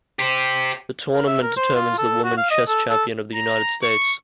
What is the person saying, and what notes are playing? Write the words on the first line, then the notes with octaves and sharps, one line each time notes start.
The tournament determines the woman chess champion of the United States.
G4 C5
A#4
E5
A#4
C5
F4
A4
F#4
F5
D#5
A4
A4
A#5
C#6